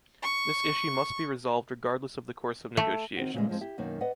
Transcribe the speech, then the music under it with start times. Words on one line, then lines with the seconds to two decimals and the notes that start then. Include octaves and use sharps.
This issue must be resolved regardless of the course of negotiations.
0.22 C#6
2.77 A3
3.17 D#3 C4 F#4
3.34 A#2 C#3 E3 F3 G3 G#3
3.49 F3 G#3 C4
3.61 E4 G4
3.78 F#2 B2 D#3 A#3
4.01 B4 D5 D#5 F#5